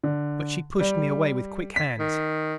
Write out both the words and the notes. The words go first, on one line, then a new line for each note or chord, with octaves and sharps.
But she pushed me away with quick hands.
D3
G3
B6
D#3